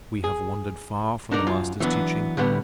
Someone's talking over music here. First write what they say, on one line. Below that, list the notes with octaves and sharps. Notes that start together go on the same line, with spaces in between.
We have wandered far from the Master's teaching.
G#4
D4 D#4 A#4 D5
F#2 F4
E3 F#3 G3 B3 D4
A2 D3 G3 B3